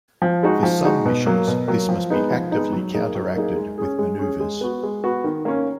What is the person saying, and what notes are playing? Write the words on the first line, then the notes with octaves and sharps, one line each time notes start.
For some missions this must be actively counter-acted with manoeuvres.
F3
G#3 D#4 F#4
F3
G#3 D#4 F#4
B2
F#3 A#3
B2
F#3 A#3
F3
G#3 B3 D#4
F3
G#3 B3 D#4
F#3
A#3 D#4 G#4
F#3
A#3 D#4 G#4
G#3
C#4 G#4
G#3
C#4 G#4
G#3
B3 F#4
G#3
B3 F#4
D#3
A#3 C#4